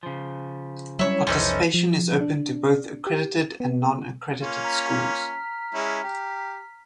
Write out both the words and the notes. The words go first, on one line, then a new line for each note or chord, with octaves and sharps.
Participation is open to both accredited and non-accredited schools.
C#3 F3
F#3 G3 C#4 E4 C#5
C2 F2 E3 B3 C#4 D#4 A4 C5
F3
D4
G4
B3
A#3 C#4 F4
A#5 F6 B6
G#3 C#4 E4
G4